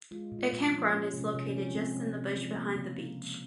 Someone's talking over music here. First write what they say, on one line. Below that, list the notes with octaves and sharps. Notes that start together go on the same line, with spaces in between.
A campground is located just in the bush behind the beach.
G#3 F4
A#2
F4
A#2
C#4
F3
G#3 C#4
C3
C#4
C3
C#4
F3
G#3 C4
C3
C3
F3
A#3
C#3
C#3
F3